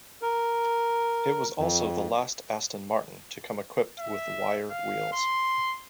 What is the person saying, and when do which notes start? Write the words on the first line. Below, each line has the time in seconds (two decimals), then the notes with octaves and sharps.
It was also the last Aston Martin to come equipped with wire wheels.
0.22 A#4
1.59 F2
3.99 E5
4.70 F5
5.13 C6